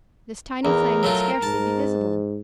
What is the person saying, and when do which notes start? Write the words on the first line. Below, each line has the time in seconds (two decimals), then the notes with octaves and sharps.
This tiny flame would scarcely be visible.
0.65 E2 A#4
1.03 F#3 A3 F4
1.43 G#2 A5